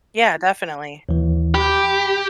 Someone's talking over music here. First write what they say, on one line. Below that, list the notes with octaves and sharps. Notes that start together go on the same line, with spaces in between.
Yeah, definitely.
D#2 E3
G4 B5